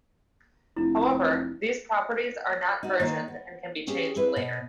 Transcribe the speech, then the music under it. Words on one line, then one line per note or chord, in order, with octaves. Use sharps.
However, these properties are not versioned and can be changed later.
F1 D4 E4
D#4 F#4
D#3 A#3
B3
C#4 G4 G#4
C4 E4 B4
B2